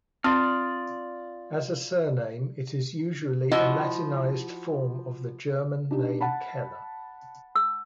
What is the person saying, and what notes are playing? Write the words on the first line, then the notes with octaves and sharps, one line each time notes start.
As a surname it is usually a Latinized form of the German name "Keller".
C4 F4 D5 D#6 F6
F3 E4 F#4 D#5
D4 D#4 G4
F#5 A5 B5
E6